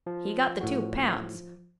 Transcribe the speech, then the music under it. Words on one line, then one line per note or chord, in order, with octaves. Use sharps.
He got the two pounds.
F3
A2 F#4